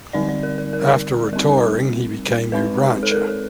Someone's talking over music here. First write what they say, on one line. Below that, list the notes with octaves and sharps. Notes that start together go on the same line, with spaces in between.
After retiring, he became a rancher.
D3 G3 C4 D#4 D5
D5
A#4
A#4
A#4
G3 C4 D#4 A#4
G#3 C4 D#4 B4
A4
A#4
A4